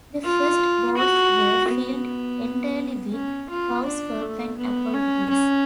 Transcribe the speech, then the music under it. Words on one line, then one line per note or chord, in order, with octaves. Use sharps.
The first boards were filled entirely with Rouse Company appointees.
F4
F#4
B3
C#4
F4
D4
A3
B3
C#4
C#4